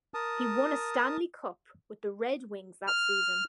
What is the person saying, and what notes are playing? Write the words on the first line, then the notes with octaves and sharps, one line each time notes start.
He won a Stanley Cup with the Red Wings that season.
A#4 A5 D#6
F6